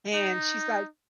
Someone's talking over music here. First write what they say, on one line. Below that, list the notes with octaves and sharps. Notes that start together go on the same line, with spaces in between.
and she's like,
D#4